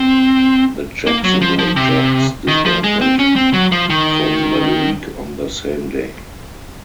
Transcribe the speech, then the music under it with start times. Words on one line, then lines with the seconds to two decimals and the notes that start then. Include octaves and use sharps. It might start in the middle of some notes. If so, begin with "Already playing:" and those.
The Jacksonville Jacks disbanded from the league on the same day.
Already playing: C4
1.07 A#3
1.24 F#3
1.41 F3
1.59 F3
1.76 C3
2.48 D#3
2.65 F3
2.84 G#3
3.01 C4
3.19 C#4
3.36 C4
3.54 F#3
3.72 F3
3.90 D#3